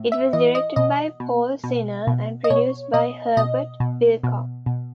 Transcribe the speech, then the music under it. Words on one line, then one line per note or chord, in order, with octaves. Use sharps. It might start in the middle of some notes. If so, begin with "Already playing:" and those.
It was directed by Paul Czinner and produced by Herbert Wilcox.
Already playing: A2
E5
E3 D#5
D#5
B2 D#5
B2
B2
B2
D#5
B2 C#5
B2 D#5
B2 D#5
B2
B2
B2